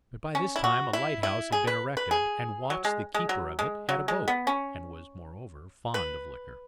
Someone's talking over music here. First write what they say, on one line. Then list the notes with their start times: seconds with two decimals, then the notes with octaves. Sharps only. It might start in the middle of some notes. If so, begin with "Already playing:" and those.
But by this time a lighthouse had been erected, and Watts the keeper of it had a boat, and was, moreover, fond of liquor.
0.35 C#4
0.56 E4
0.64 F#4
0.93 E4
1.23 E4
1.52 G#4
1.67 B4
1.97 B4
2.11 G#4
2.70 F#3
2.85 G#3
3.14 G#3
3.29 F#3
3.59 G#3
3.89 F#3
4.08 G#3
4.28 B3
4.47 C#4
5.94 B4